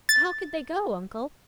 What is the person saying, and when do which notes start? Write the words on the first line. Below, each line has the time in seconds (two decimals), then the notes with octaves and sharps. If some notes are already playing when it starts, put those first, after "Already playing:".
"How could they go, Uncle?"
0.09 A6